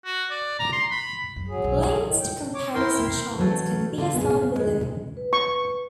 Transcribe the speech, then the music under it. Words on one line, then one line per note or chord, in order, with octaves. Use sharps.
Links to comparison charts can be found below.
F#4
D5
A#5
C6
B5
F#2
F#3 G#4
B1
G2
A2 D#3
D3 G5
C#5 D6
E4 A#4 G5 C6
E3 F#3 A3 C#4
D3 F4
B3 G#4
G#3
B4
C#6